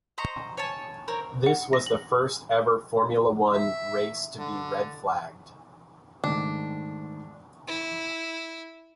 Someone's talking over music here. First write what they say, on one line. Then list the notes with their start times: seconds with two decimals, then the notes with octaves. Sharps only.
This was the first ever Formula One race to be red flagged.
0.18 C5 D#5 A#5 C#6
0.57 C#5 G#5 A5
1.08 C4 A#4 C#5
1.46 F#5
1.73 A#6
1.86 F#7
3.53 E5
4.37 D3
6.24 G#2 D#3 A3 D4
7.67 E4